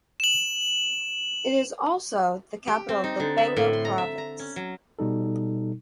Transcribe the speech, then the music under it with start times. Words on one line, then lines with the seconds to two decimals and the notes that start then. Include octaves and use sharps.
It is also the capital of the Bengo province.
0.20 E7 F#7
2.67 G4
2.89 C4
3.04 D#4
3.20 D3
3.38 E5
3.57 A2
3.73 C6
3.85 A#5
3.98 E5
4.18 A#5
4.39 C#4
4.56 F#3
4.99 B2 G3 D#4 A4